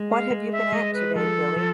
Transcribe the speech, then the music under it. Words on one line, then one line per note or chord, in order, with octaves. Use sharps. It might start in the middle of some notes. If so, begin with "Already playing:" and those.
What have you been at today, Billy?
Already playing: G#3
F5
G#3
E5
G#3 D#5
B4
F3 A4
F3